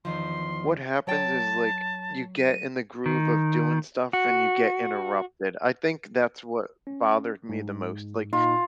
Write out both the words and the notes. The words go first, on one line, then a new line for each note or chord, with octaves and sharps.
what happens is, like, you get in the groove of doing stuff and you get interrupted, I think that's what bothered me the most, like,
E2 D#3 F3 C6
F#3 C#5 G5 A5
D#7
D#3
F#4
C#4
G#2
A#2 D#4 F4